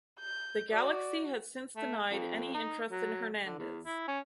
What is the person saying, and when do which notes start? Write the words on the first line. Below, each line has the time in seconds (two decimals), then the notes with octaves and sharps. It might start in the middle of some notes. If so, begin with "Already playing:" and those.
The Galaxy has since denied any interest in Hernandez.
0.20 G6
0.72 F#4 D5
1.76 A3
2.12 F2
2.54 D#4
2.91 F#3
3.45 D3
3.59 E2
3.86 E4
4.08 C#4